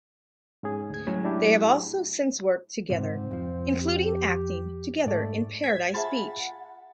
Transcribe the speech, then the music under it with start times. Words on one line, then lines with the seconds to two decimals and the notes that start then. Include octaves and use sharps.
They have also since worked together, including acting together in "Paradise Beach".
0.63 G#2 C#4 G#4
0.90 D2 G#6
1.07 A2 F#3 G#3 C#4
1.25 D4 E4 G4
2.90 C#2 G#2 C3 C4
3.31 F2 F3
3.82 G4
5.06 G#2 A3 D5
5.63 C5 G#6 B6
5.94 F4 G#4 E5 F#5 A5 B5 A6